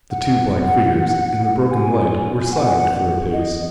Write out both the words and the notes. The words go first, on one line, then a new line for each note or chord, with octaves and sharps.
The two black figures in the broken light were silent for a space.
F#5
G#5
F#5
D#5